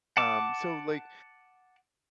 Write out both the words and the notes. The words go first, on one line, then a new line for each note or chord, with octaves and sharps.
um, so, like,
F#5 A5 D6